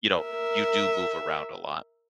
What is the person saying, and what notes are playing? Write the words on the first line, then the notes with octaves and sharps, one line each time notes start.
you know, you do move around a lot.
A#4 E5